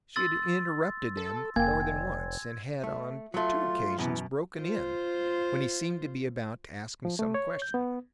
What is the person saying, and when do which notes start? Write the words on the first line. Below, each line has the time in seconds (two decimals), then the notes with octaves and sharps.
She had interrupted him more than once, and had on two occasions broken in when he seemed to be about to ask me some question.
0.16 C6 E6 A6
1.17 A4
1.56 F1 A#3 G5 G#5 G#6
2.84 A3
3.34 F#3 A3 F4
3.98 F#2 B2 E3
4.57 F4 C5
7.05 F3
7.19 A3
7.34 C#5
7.62 G6
7.74 B3